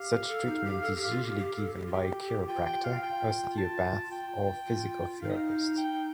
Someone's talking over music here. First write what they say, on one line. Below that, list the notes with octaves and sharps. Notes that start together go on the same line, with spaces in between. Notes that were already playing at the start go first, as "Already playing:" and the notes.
Such treatment is usually given by a chiropractor, osteopath or physical therapist.
Already playing: G4 F5
A4
D#4
G4
A4
G4
F4
G4
G4
A4
G4
F4
G4 G5
G4
F4 G5
G5
F5
F4 G5
A5
G5
F4
D#4 F5
D#5
F5
G5